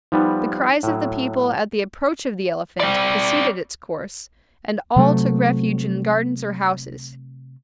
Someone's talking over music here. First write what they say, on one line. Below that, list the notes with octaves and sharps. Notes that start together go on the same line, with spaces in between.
The cries of the people at the approach of the elephant preceded its course, and all took refuge in gardens or houses.
F3 G3 B3 D#4
A2 F#3
C4 D5
C3 F#3 A3